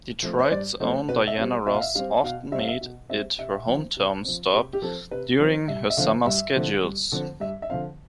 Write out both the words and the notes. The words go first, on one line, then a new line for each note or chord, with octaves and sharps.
Detroit's own Diana Ross often made it her hometown stop during her summer schedules.
F3 A3 C4
C5
G2 D5
F3 A3 C4 C5
B2 B4
E5
G3 C4
B2 E5
F5
E5
G3 C4 F5
B2 F5
G3 C4 E5
F5
E5
B2
G3 C4 E5
C3 E5
F3 C4
C3
F3 C4
C3 G4
G4
F3 C4 A4
C3 B4
F3 C4
G2 E5
E5
D3 F3 C4 F5
G2 E5
D3 F3 C4
G2
D3 F3 C4
G2 E5
E5
D3 F3 C4 F5